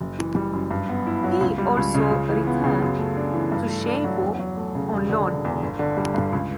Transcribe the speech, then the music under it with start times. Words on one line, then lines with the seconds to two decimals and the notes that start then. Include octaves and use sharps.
He also returned to Chievo on loan.
0.01 F#1
0.19 E3
0.36 G3
0.53 F#2
0.71 G2
0.89 B3
1.07 E4
1.24 F#3
1.41 C#2
1.58 G3
1.77 C#2
1.94 C#3
2.11 C#2
2.30 E3
2.47 B3
2.64 C#3
2.82 F#2
2.98 A3
3.17 D4
3.34 E3
3.52 G2
3.69 A3
3.87 D4
4.04 F#3
4.21 E2
4.39 F#3
4.57 A3
4.75 C#3
4.92 E1
5.09 D3
5.27 E1
5.44 E2
5.63 G1
5.79 D3
5.97 G3
6.14 G2
6.33 C#2